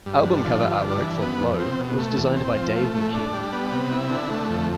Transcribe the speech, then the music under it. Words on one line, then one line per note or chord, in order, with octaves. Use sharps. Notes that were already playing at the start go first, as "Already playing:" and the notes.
Album cover artwork for "Low" was designed by Dave McKean.
G2
D3
F3
G2
D4
E3
B3
F2
C4
B2
A3
E2
C4
F3
A3
A2
D4
G3
B3
C3
E4
D3
A3
F2